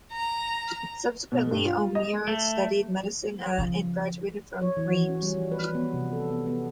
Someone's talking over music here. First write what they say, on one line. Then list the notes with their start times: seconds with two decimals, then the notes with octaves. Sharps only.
Subsequently, O'Meara studied medicine at, and graduated from, Rheims.
0.12 A#5
1.32 B2
1.51 G2
1.65 F4
1.95 D#5
2.28 A3
3.58 C#3 F3
4.62 C#5
4.77 E3
4.91 F#4
5.09 C#4
5.22 G3
5.34 F3
5.52 B4
5.75 B3
5.94 C3
6.13 A4
6.30 B3
6.46 B3